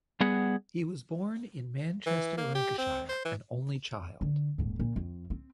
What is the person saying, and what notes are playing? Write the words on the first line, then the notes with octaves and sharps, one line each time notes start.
He was born in Manchester, Lancashire, an only child.
G3 B3 G#4 F#5
E3
A#3
G4
C4
C5
E3
D3
D#1 G#2
A#2
F2
C4